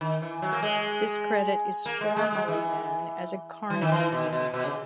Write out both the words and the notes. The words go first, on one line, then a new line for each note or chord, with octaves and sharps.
This credit is formally known as a Carnegie Unit.
D#3
E3
F#3
A#3
G#3
A#3
G#3
G#3
G#3
E3
E3
D#3
E3
B2
B2
B2
C#3